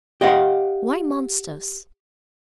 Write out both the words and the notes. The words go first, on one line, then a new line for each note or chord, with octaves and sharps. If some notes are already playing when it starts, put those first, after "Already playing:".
Why monsters?
G4 D#5 F5 F#5